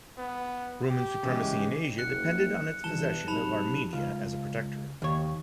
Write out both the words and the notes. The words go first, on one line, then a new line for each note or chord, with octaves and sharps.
Roman supremacy in Asia depended on its possession of Armenia as a protectorate.
B3
G4
C#3 E3 G#3
F#1 F#6 C#7
G2 B2 E3 A5 E7 G7
C3 F#3 D#4 A5 B5 F7
C#2 F4
D#2 C#5